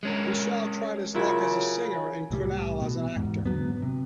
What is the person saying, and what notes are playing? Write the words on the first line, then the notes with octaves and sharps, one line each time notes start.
Vishal tried his luck as a singer and Kunal as an actor.
G#3 C#4 A#4
C#3 F#3 E4 F4 A#4
C2 A2 F#3 G3
B2
E2 G#2
G#2 D3 F#3 B3
C3